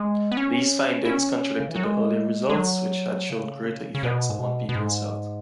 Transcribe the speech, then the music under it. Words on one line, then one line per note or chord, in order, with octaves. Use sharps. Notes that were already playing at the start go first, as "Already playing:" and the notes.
These findings contradicted the earlier results, which had shown greater effects upon people's health.
Already playing: G#3
B3
C#4
E4
C#4
C#3
E3
F#3
G#3
G#3
F#3
C#3
C#3
B2
G#2
B2
B2
G#2